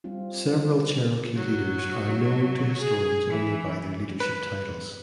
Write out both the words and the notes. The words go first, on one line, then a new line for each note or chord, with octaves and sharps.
Several Cherokee leaders are known to historians only by their leadership titles.
G3 C4 F4
F#3
G#4
E3
B4